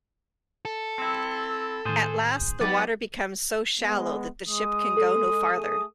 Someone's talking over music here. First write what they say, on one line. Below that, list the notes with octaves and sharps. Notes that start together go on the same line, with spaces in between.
At last the water becomes so shallow that the ship can go no farther.
A4
C4 E4
A2 D#3 G#4 C5
F#3 G3 B3 D#4 G4 D5
G#3 B3
G#3 D#6
A4
A3 G#4 D#6